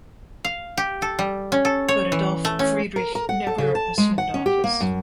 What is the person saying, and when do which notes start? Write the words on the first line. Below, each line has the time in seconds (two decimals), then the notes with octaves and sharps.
But Adolf Friedrich never assumed office.
0.45 F5
0.77 G4
1.02 A4
1.19 G3
1.52 C#4
1.65 A4
1.88 C#5
2.12 E3
2.45 A3
2.59 C#4
2.96 A#4
3.15 A#4
3.29 F#5
3.47 A4
3.58 C#3
3.75 A5
3.98 G#3
4.18 F#5
4.34 C#4
4.46 G4
4.64 A#3
4.81 F#2